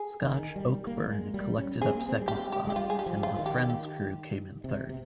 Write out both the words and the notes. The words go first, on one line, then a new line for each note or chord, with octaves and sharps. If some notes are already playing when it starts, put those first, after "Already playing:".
Scotch Oakburn collected up second spot and the Friends crew came in third.
Already playing: G#4
D#3
G3
A#3
G#3
G3
C#4
C4 G#4
A#3
C4
G3
G#3 G4
G4
G#3 G4
G3 F4
G#4
G4
F3
F4
D#3
G4
G4
C3
C3